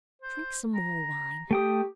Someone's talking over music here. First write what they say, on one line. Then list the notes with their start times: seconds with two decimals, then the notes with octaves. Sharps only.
Drink some more wine.
0.22 C5
0.75 A#5
1.51 A3 G4 G5 D#6